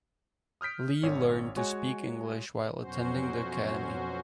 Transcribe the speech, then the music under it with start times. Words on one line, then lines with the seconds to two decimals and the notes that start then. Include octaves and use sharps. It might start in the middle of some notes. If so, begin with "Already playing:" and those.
Lee learned to speak English while attending the academy.
0.61 D#6 F6 G6 B6 D7
1.03 G#1 C#5
1.56 G#3 F#4 C#5 G#5
2.80 F2 B2 F#3 C#4 F#4 C5